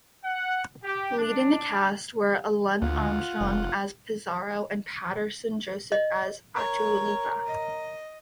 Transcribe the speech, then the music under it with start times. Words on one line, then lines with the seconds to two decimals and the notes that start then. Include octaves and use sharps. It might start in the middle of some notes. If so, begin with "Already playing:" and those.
Leading the cast were Alun Armstrong as Pizarro and Paterson Joseph as Atahualpa.
0.24 F#5
0.84 G4
1.16 D4
2.82 D2 F4 F#5
3.40 F1
5.92 D#5
6.56 A#4 C#5
7.46 D#5